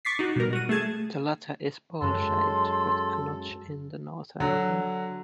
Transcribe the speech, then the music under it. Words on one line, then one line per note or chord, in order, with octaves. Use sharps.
The latter is bowl-shaped with a notch in the northern rim.
C#6 D6 A6 B6 C7
D#4 F#4
B2 G3 A#4
F#4 D#7
A3 G#4 A5 G#6
F#2 G#3 A4 C6
D3 F#3